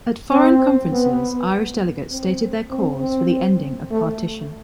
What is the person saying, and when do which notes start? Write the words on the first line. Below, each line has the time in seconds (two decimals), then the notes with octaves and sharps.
At foreign conferences, Irish delegates stated their cause for the ending of partition.
0.32 C4
0.92 B3
2.11 C4
2.71 C4
3.01 C4
3.91 A3